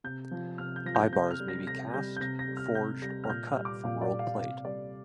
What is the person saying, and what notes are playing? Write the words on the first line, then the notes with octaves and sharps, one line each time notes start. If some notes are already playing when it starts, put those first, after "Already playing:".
Eyebars may be cast, forged, or cut from rolled plate.
C3 G6
F3
C3 F6
G6
F3 A#6
G6
C3 G6
F6
G3
A#6
C3 A#6
G3 G6
G6
C3 A#6
A#6
G3
F6
C3 G6
G3 A#6
F6
A#2 G6
F6
G3
D6
A#2 F5
D5
G3
F5
C3 F5
G3 D5